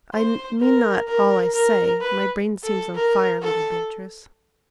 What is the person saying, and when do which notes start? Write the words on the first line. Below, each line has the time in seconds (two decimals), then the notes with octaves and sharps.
I mean not all I say--my brain seems on fire, little Beatrice.
0.14 C5
0.61 A#4
1.08 A#4
1.54 A#4
2.01 B4
2.64 A4
2.95 A#4
3.42 A4